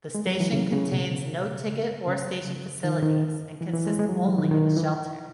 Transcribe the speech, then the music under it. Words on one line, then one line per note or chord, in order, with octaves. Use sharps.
The station contains no ticket or station facilities and consists only of a shelter.
G#3
F#3
E3
C#3
C#3
B2
C#3
C#3
D#3
D#3
E3
E3
G#3
G#3
F#3
E3
D#3
D#3
E3